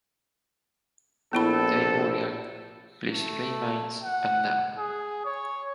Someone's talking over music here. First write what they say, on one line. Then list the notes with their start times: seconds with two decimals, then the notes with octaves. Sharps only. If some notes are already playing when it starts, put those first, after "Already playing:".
Their burial place remains unknown.
1.33 A#1 B3 E4 A4 B5
3.10 A3
4.03 F#5
4.78 G#4
5.25 C#5